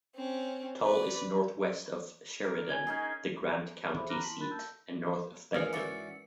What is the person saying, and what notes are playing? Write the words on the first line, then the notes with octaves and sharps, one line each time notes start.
Tull is northwest of Sheridan, the Grant County seat, and south of Benton.
C4 C#4
B4 D5
A#4
G#5 G#6 G7
C#4 D#4 G#4
G#4 A4 C5 E5 B5 D6
A#5 B5 D6 F6 F#6 A#6
E4 A5 C6 B6 F#7
D4 A#4 B5 F#6 A6
A5 E6 G6
G#2 E3 C#4 A#4 B4 F5
F#4 D5 E5 C#7